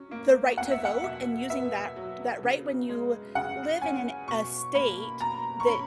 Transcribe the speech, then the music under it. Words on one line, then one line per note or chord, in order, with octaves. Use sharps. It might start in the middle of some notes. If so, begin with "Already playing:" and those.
the right to vote and using that that right when you live in an a state that
Already playing: F#3 C#4
A#3
E2 F#5
E5
F#5
B2 E5
B3 E5
F#3
C#3
G#3
C#3 F#5
C#4 G#5
B2 C#6
A#3 B5
B2 A#5
C#6
C#4 B5